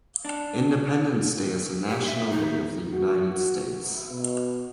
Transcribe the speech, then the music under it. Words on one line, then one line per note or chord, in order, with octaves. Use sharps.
Independence Day is the National Day of the United States.
D4
G4
E5
D#4
F#4
B2